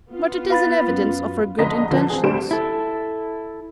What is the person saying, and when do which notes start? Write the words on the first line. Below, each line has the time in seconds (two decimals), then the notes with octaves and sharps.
But it is an evidence of her good intentions.
0.13 B3 F4
0.50 B4 F5 B5 A6
0.87 F#2
1.58 F1 C#2 D3 D#5 A#5 B6
1.90 F1 D3 F3 B4
2.10 C4 G#4
2.24 D2 D3 G3 C5 D7 E7
2.51 E4 A4